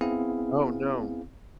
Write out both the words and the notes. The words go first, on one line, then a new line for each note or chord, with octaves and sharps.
Oh, no.
B3 C4 E4 G#4 F5